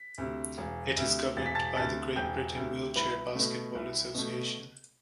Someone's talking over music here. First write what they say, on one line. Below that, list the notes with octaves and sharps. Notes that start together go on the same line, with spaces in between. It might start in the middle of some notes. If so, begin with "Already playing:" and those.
It is governed by the Great Britain Wheelchair Basketball Association.
Already playing: B6
D2 C3
E1
D2 C3
E1 A6
B6
A5 A6
D2 C3 A5 A6
E1 G5 G6
D2 C3
C2 B4 B5
B2 A3
C2
B2 A3